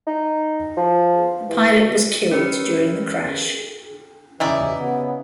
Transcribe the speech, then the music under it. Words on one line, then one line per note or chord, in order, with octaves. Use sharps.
The pilot was killed during the crash.
D#4
F3
E3
D2
C#4 G4 A#4 B4
C#3 E3 D#4 E4 D5
C#3 B3